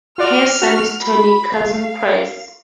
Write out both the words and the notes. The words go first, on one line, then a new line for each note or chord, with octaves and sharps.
Her son is Tony Curzon Price.
F4 F#4 D5 F6
F#4
B5
F5